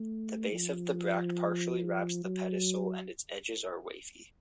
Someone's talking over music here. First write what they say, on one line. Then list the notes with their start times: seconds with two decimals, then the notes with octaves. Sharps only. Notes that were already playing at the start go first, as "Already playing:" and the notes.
The base of the bract partially wraps the pedicel and its edges are wavy.
Already playing: A3
0.52 F3
2.24 F#3